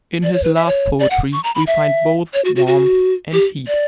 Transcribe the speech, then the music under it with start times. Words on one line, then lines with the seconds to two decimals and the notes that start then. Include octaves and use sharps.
In his love poetry, we find both warmth and heat.
0.23 D5
0.33 C#5
0.44 B4
0.55 E5
0.67 C#5
0.99 D5
1.10 F#5
1.33 C#6
1.44 A#5
1.55 B5
1.67 E5
2.33 C#5
2.45 F#4
2.56 F#4
2.67 F#4
3.33 G4
3.67 D5